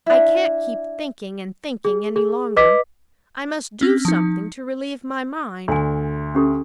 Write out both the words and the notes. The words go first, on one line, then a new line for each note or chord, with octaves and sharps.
I can't keep thinking and thinking any longer; I must do something to relieve my mind.
D4 E4
G#4
G#4
B4 D#5 D6 B6
C4 C#4
F3 D#4
D2 G#5 C6
C#4 G4 A4